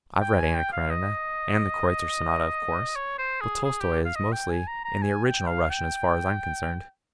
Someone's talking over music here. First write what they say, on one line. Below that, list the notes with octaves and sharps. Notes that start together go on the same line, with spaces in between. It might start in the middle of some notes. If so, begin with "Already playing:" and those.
"I've read 'Anna Karenina' and the 'Kreutzer Sonata' of course, but Tolstoi is mostly in the original Russian as far as I'm concerned."
G5
G#5
G5
F5
D#5
C#5
C5
G#4
G#4
G4
F5
D#5
G5
G#5
A#5
A#5
G#5
G5
F5
G5